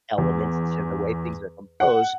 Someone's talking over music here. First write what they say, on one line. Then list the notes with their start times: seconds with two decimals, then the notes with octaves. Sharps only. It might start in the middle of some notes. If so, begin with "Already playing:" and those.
element to the way things are composed.
0.18 E2
1.80 F#5